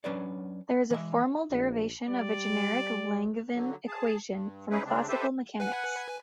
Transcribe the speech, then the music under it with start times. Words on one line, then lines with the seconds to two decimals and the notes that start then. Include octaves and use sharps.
There is a formal derivation of a generic Langevin equation from classical mechanics.
0.04 F#3 C#4 D4 B4 C#5 D5
0.90 E3 G#3 D#5 E5
1.52 A#1
2.09 G3 D5
3.53 D3 F#3
3.87 G#4 A5
4.28 G2
4.70 C#4 D#4 E4 G#4 B4
4.85 C#3 G#3 C4 D4
5.08 G4 A4 B4 C5 E5
5.60 B4 F#5 G#5